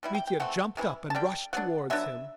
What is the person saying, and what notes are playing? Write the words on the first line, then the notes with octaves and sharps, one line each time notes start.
Mitya jumped up and rushed towards him.
B2 G3 E4
G5
G5
E3 A3 C4 F#5
C3 E3 B3 E4
A5
D3 G3 D4 G5
F#3 B3 D4 F#5
D3 F#3 B3 D4 E5